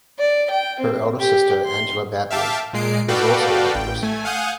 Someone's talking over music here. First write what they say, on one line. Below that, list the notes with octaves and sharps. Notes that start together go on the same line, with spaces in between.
Her elder sister, Angela Baddeley, was also an actress.
D5
G5
C4
G4
C6
E5 F5 G5 A5 D6
A#2 G#3 C7 D7
F#4 A4 B4 D5 F5 G5
A1 G5
A3 G#5
F5 F#5 G#5 D#6 G6